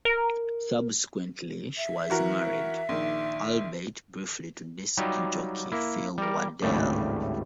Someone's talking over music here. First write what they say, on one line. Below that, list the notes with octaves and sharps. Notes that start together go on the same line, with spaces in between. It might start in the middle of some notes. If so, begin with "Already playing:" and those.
Subsequently, she was married, albeit briefly to disc jockey Phil Wardell.
A#4
E5
E3 F#4 A#4
A#1 D#3
F#3 G3 D#4 F4 G4
A#3 E4
G3 A#4
G#1 D2 A2 C#3 G3 A3